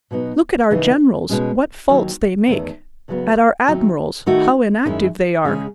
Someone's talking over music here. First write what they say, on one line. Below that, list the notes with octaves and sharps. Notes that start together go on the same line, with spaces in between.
Look at our generals, what faults they make; at our admirals, how inactive they are.
B2 F#3 B3 D#4
D#2 C#3 E3 G#3 D#4
B2 G#3 C#4
D#2 D#3 F#3
E2 D#3 A3
E2 C#3 F#3 B3
D#2 D#3 F#3 A3
D#3 A3 D#4 F#4
F#2 D#3 G#3 C#4 E4
C#3 G#3 C#4 G#4